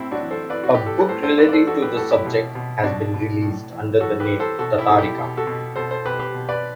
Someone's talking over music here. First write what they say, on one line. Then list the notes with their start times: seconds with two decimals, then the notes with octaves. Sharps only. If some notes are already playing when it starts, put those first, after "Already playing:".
A book relating to the subject has been released under the name "Tatarica".
Already playing: A2 C4 E4
0.11 D4 F#4
0.22 E3
0.30 A4 C5
0.50 E3 B4 D5
0.64 F#4
0.75 G4
0.80 E3
0.86 A4
0.98 B4
1.09 A2 A4 C5
1.23 A4 C5
1.38 E3 B4 D5
1.49 D5
1.53 A4 C5
1.67 E3 F#4 A4
1.82 G4 B4
1.97 A2 F#4 A4
2.11 E4 G4
2.26 B2
2.55 B2
2.84 B2 D4 F#4
3.14 B2
3.42 A2
3.72 E3
4.00 E3 F#4 A4
4.20 G4 B4
4.30 E3
4.39 A4 C5
4.59 B2 F#4 A4
4.78 E4 G4
4.88 B2 A4
4.98 E4 G4
5.18 B2
5.37 F#4 A4
5.47 B2
5.76 B2 A4 C5
5.91 A4 C5
6.05 B2 G4 B4
6.19 G4 B4
6.35 B2
6.49 B4 D5